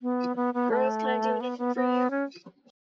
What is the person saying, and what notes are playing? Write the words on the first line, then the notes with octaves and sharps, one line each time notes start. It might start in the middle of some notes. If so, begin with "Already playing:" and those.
Girls, can I do anything for you?
B3
B3
B3
A3
B3
B3
B3
C#4